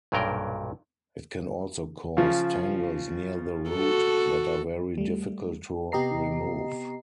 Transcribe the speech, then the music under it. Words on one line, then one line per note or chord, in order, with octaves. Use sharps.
It can also cause tangles near the root that are very difficult to remove.
B1 G2 A#2 F#3 A#4 G5
C#3 F3
F#4 A4
G3 A3
C3 B3 G4 D#5 A#5 C7